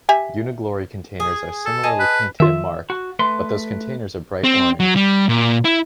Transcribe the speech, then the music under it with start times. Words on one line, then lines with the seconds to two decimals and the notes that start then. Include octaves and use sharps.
Uniglory containers are similarly painted and marked, but those containers are bright orange.
0.09 G4 E5 G#5
1.20 G#4
1.65 A4
1.83 G#4 D#5 A5
1.99 B4
2.40 D#3 F4 E5
2.90 F#4
3.19 A3 B4 C6
4.44 C4
4.80 F#3
4.96 G3
5.29 A#2
5.65 E4